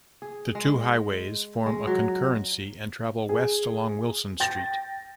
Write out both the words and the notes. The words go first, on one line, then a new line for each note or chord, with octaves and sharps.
The two highways form a concurrency and travel west along Wilson Street.
G#4
G#3
G#3
F#3
G#4
G5 A6 A#6